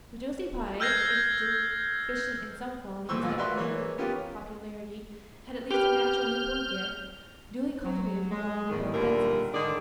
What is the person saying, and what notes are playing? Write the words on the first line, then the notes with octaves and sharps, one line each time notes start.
But Josie Pye, if deficient in some qualities that make for popularity, had at least a natural and inborn gift, duly cultivated, for walking board fences.
E6 F6 G6 G#6 A#6 C7
D#2 A#2 E3 C5 C#6 E6
A1 A#2 F4
F#4 A#4 B4 D5 E5 C6
E3 A#3 C#5
B3 C#4 F4 G4 A#4
G4 B4 F6 G6
F#3
G#3
E2 A2 D#3
D#2 A#2 D3 G3 A3 A#4
G#2 D3 D#3 D4 G#4 D5